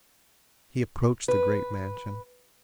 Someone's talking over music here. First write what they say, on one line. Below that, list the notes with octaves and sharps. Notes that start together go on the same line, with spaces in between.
He approached the great mansion.
B4